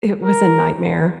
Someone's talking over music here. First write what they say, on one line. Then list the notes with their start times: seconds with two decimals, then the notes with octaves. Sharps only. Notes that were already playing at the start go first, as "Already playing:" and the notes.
it was a nightmare.
0.23 A#4